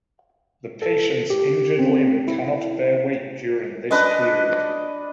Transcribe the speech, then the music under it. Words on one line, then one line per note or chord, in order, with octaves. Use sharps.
The patient's injured limb cannot bear weight during this period.
A4
G4
C4
E4
D4 B4 D#5